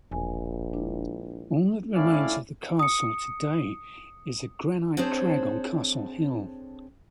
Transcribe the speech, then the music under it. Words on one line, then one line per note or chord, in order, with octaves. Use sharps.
All that remains of the castle today is a granite crag on Castle Hill.
E1 A#1 G#5
G#3 D4 E4
A2 C#4 E4 D5 F5
D#6 C#7
C4 D4 G#4 A4 C5 C#5